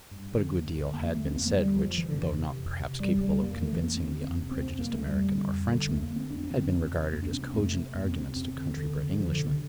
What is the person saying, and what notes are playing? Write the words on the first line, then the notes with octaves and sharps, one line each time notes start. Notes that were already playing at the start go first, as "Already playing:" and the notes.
But a good deal had been said which, though not perhaps capable of convincing the unprejudiced American or Frenchman, had been regarded as cogent arguments to country-bred Englishmen.
G2
D3
G2
D3
F2 A#3
D3 A3
C4
F2 A#3
F3
D3 G3
F2 F3
C3 E3
D3
F2 E3
C3
F2
C3
F2 G3
C3 G3
F2 A#3
A#3
D3 A3
E3
F2 A#3
C4
D3
F2 C4
C3
C4
F2
A#3
C3
A3
F2 G3
D3
F2
D3
F2 A3
A#3
D3
C4
F2 D4
C4
D3
C4
F2
C3
F2 A#3
D4
C3 C4
C4
F2 A3
C3
F2 A#3
C4
C3
E2 C4
D3
E2 D3
D3
F2 F3
D3
C3
D3